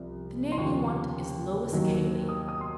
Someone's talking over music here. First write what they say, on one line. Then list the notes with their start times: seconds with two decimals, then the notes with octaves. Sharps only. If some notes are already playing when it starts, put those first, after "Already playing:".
'The name you want is--Lois Cayley!'
Already playing: C2 C3 F3
0.52 C6
0.57 D#2 C#3 F3 C#6
1.72 D#2 D#3 F#3 A#3
2.29 D#6
2.49 D#6
2.61 C6